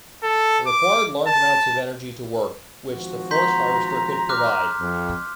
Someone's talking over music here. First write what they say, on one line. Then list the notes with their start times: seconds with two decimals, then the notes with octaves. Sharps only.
It required large amounts of energy to work, which the Force Harvester could provide.
0.23 A4
0.67 D6
1.27 A5
2.89 G#1 F3 F#4
3.31 A#5 C6 G6 B6
4.29 D6 F6 F#6
4.79 F2